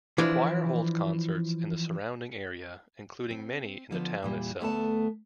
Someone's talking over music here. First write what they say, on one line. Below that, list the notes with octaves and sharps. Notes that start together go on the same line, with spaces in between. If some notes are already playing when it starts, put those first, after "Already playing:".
The choir holds concerts in the surrounding area, including many in the town itself.
E3 F3 D4 E4
C4
D3 F3 B3
E2 A#2 G3
D2 A3 B3 A5